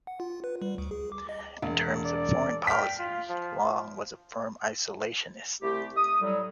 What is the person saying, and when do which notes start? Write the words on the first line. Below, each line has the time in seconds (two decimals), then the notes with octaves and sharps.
In terms of foreign policy, Long was a firm isolationist.
0.07 F#5
0.20 F4
0.44 B4
0.62 G3
0.78 D2
0.91 G#4
1.12 D6
1.29 D#5
1.62 E1
2.05 D5
2.67 G5 F6 B6
2.99 F4
3.29 F3
5.62 C2 A3 G4
5.96 D#6
6.21 A2 F#3 G3